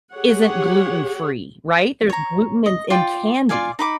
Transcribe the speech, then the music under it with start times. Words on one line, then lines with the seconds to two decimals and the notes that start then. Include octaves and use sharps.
isn't gluten free, right? There's gluten in in candy,
0.14 G4 G#4 C#5 F#5
2.10 C#5 A#5
2.66 D#5
2.90 F4 D5 G5
3.49 F4 D5 F5 G#5
3.79 D#4 B5 D6